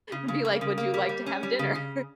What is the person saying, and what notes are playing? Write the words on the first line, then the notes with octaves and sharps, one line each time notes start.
and be, like, "Would you like to have dinner?"
C#3
C#3
A#3
C#3
A#3
G3
G3
C#4
G3
C#3
C#3